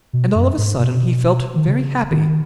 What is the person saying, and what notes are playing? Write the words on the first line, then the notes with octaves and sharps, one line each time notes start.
And all of a sudden he felt very happy.
B2
F#2
G#2
B2
D#3
C#3
D#3